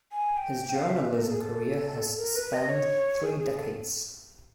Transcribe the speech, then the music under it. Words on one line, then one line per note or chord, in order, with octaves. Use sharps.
His journalism career has spanned three decades.
G#5
G5
G5
F5
E5
B4
A#4
A4
G#4
A4
A#4
B4
D#5
C#5
G#4
G#4
A4